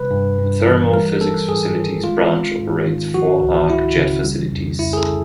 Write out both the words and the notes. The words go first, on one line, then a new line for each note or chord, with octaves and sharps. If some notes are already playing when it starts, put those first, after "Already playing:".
The Thermo-Physics Facilities Branch operates four arc jet facilities.
Already playing: C3 G3 B4
G2
G2
E3
G3 A#4
A#3 A4
G#2 G#4
D#3
G#3 F4
C4
G#2
D#3
F3 F#4
C#2
C#2 E4
C#3
G3
F2
F2 E4
G#4
A4
D3